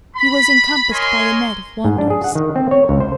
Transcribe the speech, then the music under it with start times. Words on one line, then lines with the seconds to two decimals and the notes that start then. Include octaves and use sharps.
He was encompassed by a net of wonders.
0.16 B5
0.91 A#4 C#5 D#5 G#5 C6
1.85 G#2
1.98 D4
2.10 G#4
2.24 F#5
2.35 D#3
2.56 C4
2.71 C#5
2.89 C#2
3.00 C5